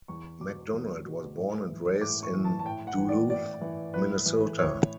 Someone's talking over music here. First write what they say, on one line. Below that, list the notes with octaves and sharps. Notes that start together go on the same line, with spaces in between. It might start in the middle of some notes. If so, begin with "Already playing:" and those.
McDonald was born and raised in Duluth, Minnesota.
E2 C#6
B2 D6
E2
B2
A2
E3
A2 D6
C#6
E3
A5
A5
A2 G5
F#5
E3
D5
A2 D5
E3
A2 B4
E3
A2 C#5